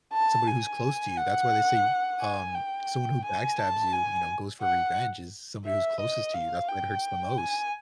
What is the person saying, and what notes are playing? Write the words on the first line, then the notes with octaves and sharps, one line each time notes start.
somebody who's close to you. That's why they say, um, someone who backstabs you, you know, goes for revenge, is somebody who's closest to you, that's why it hurts the most.
A5
G#5
F#5
G#5
G5
G#5
A5
G#5
F#5
E5
D#5
F5
G5
G#5